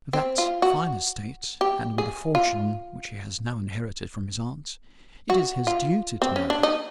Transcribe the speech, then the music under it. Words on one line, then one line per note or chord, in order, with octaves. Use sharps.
With that fine estate--and with the fortune which he has now inherited from his aunt--it is his duty to marry.
C4
F4
F#4
G4
G#4
F4
F#4
F4
C4
C#4
D4
D#4